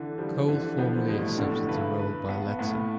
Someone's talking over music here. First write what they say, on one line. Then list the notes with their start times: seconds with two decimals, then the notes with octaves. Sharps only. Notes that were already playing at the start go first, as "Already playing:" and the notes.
Cole formally accepted the role by letter.
Already playing: D3 E3
0.18 F3 G3
0.48 D3 E3
0.78 F3 B3
1.08 B2 G3
1.19 A2
1.29 B2
1.38 A2 D3
1.69 G2 B4
1.99 B4
2.29 B3
2.59 A2 B3